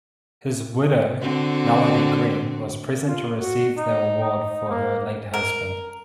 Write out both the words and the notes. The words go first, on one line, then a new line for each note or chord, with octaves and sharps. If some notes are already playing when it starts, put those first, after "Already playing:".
His widow, Melody Green, was present to receive the award for her late husband.
D3 C4 F#4
F4
F#4
D#4
D#4
A#3
A#4